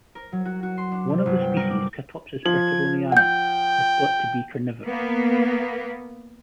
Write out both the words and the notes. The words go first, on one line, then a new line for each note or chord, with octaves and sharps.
One of the species, "Catopsis berteroniana", is thought to be carnivorous.
A#4
F#3
F#4
F#4
C6
D4
C3
G1
G5
A#4
D6
F3 G#6 F#7
F#5 G5 G6
A#3 B3